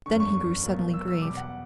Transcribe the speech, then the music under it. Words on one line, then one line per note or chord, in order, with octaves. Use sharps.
Then he grew suddenly grave.
F#1 E2 D3 C#6
C#6
B1 A#2 F#3
E6
E6
E2 B2 G3 D6
F#5